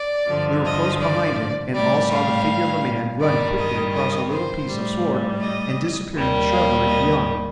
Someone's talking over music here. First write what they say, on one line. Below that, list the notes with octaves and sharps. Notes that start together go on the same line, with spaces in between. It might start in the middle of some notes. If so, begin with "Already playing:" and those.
We were close behind him, and all saw the figure of a man run quickly across a little piece of sward and disappear in the shrubbery beyond.
Already playing: D5
G2 D3 F3
D#5
D5
A2 G3 D5
F5
G2 D#3 G3 D5
D#5
D#5
C5
A2 G3
D#5
D#2 D#3 G3
F5
D#5